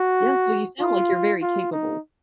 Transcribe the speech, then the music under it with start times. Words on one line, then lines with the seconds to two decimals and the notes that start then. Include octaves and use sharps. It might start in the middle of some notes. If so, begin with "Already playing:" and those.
Yeah, so you sound like you're very capable.
Already playing: F#4
0.80 F4
1.42 F4
1.72 D#4